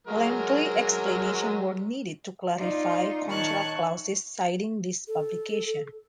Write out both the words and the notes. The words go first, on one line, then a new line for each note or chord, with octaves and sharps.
Lengthy explanations were needed to clarify contract clauses citing these publications.
F#3 G#3 A#4
D#4 F4 D5
D#3 D#4 C#5 A5 F#6 G#6
A4